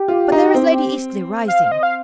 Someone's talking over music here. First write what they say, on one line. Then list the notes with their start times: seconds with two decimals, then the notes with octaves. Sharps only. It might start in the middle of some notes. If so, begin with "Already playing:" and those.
But there is Lady Eastleigh rising.
Already playing: G4
0.08 F4
0.32 D#4
0.54 C4
1.48 F5
1.65 F5
1.72 D#5
1.83 F5